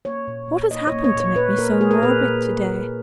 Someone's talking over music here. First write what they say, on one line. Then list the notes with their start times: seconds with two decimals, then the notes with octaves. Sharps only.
What has happened to make me so morbid to-day?
0.05 A#3 C#5
0.28 A#2
0.49 A#2
0.71 A#3 D#5
0.87 C#5
0.92 A#3
1.04 C#5
1.15 A#2
1.20 C#5
1.36 A#2 B4
1.58 A#3 A#4
1.80 A#3 G#4
1.91 A#4
2.02 A#2 B4
2.23 A#2